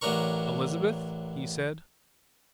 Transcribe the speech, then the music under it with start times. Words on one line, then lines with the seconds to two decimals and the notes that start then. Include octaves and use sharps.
"Elizabeth?" he said.
0.01 A1 F#3 D4 A#4 C#6